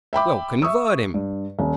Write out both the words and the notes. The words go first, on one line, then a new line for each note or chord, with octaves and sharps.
We'll convert him!
E5 G5 B5 D6
E5 C#6 D#6 E6
G2
D#1